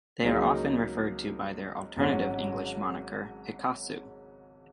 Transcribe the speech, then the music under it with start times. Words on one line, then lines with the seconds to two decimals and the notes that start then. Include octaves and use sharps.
They are often referred to by their alternative English moniker, Hikasu.
0.22 C#2 C#3 F#3 A#3 D#4
1.97 G#1 G#2 F#3 C#4 F#4